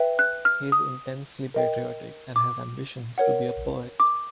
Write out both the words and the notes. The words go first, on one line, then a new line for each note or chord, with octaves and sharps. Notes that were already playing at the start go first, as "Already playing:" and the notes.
He is intensely patriotic and has ambitions to be a poet.
Already playing: B4 E5 G5
F#6
F6
D#6
A#4 D#5 G5
D6
A#4 C#5 F#5
D6